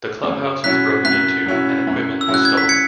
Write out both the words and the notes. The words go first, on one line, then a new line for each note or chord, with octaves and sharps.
The clubhouse was broken into and equipment was stolen.
F#2
F#3 C#4 E4 F#6 B6
F#2 F#6 B6
F#3 C#4 E4
F#2
E6
F#3 C#4 E4
F#6
G#6
B6
G#6 C#7